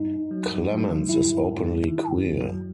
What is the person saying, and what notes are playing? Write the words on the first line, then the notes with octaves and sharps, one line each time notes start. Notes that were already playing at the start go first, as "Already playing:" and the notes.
Clemens is openly queer.
Already playing: G2 D#4
G2
F#3
G2
F#3
D#3
G2 E4
G2
G2
G2
D#3
G2
F#2
F#3